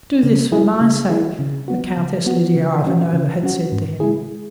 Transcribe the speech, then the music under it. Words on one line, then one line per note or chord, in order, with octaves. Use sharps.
"Do this for my sake," the Countess Lidia Ivanovna had said to him.
C#3
F#3 E4 G#4
C#3
F#3 E4 G#4
C#3
F#3 B3 F#4
C#3
F#3 B3 F#4
C#3
F#3 C#4 F#4
C#3
F#3 C#4 F#4
G#2
G#3 E4 G#4